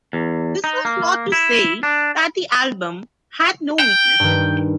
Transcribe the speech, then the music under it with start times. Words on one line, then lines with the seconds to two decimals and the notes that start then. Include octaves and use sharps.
This was not to say that the album had no weaknesses.
0.13 E2
0.64 D#4
0.85 A#3
1.32 E4
1.83 D4
3.79 G5
4.20 G2 D#3